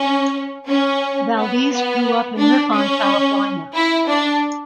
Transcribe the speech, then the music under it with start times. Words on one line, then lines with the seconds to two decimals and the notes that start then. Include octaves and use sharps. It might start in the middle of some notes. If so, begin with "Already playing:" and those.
Valdez grew up in Ripon California.
Already playing: C#4
0.67 C#4
1.36 B3
1.70 B3
2.38 D4
2.72 C#4
3.74 E4
4.08 D4